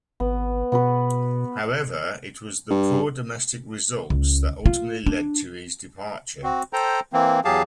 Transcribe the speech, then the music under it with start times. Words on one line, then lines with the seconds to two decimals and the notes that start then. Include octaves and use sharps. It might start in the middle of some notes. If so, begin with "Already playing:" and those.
However it was the poor domestic results that ultimately led to his departure.
0.20 G#1 B3
0.72 B2 B3 F#4 B4
2.70 G2
4.10 C#2
4.66 F4
5.06 D4
6.43 C4 F#4
6.73 A4 C5 G5 A#5
7.13 E3 A#3 C4
7.45 E2 F#3 G4 G#4 F5 A5